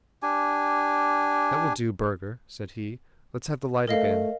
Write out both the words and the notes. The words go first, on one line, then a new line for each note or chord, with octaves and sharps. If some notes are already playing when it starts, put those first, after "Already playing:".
"That will do, Burger," said he, "let's have the light again."
D4 G4 G#5
A3 A#4 D#5 F5